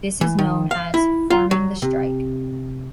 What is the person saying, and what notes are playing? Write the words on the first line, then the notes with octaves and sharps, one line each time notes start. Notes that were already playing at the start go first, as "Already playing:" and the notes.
This is known as "farming the strike".
E3
D#3
F5
E4
F4
F#3
C3